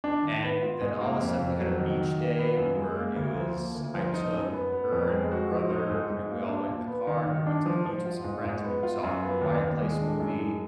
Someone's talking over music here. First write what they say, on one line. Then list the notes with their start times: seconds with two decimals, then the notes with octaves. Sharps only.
and then all of a sudden we had a beach day where it was, I took her and her brother, and we all went in the car, and we went to the beach with some friends, and we saw The Quiet Place movie,
0.04 D4
0.22 D#3
0.42 B3
0.62 F4
0.81 G#2
1.01 A#3
1.21 F2
1.40 F2
1.60 F#3
1.79 D#3
1.99 D#3
2.18 A#3
2.39 B3
2.57 F#2
2.77 G#3
2.97 A#3
3.16 D2
3.36 F3
3.56 A#3
3.75 D2
3.94 F3
4.14 D#4
4.33 F#2
4.53 B3
4.72 B3
4.92 F2
5.12 G#3
5.31 F#4
5.51 F3
5.71 D#4
5.90 G#2
6.10 G#2
6.29 A#3
6.49 D4
6.68 A#2
6.87 B3
7.07 D#3
7.26 D#3
7.46 D4
7.66 F3
7.85 F3
8.05 F4
8.24 G#2
8.44 G#2
8.64 B3
8.83 F4
9.03 F#2
9.23 B3
9.42 D#2
9.62 D#2
9.81 G#3
10.01 D4
10.20 F#2
10.40 G#3